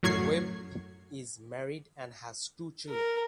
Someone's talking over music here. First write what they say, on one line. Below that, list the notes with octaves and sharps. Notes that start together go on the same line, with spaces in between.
Webb is married and has two children.
F#2 A2 F#3 C#6 G#6 C7
A#4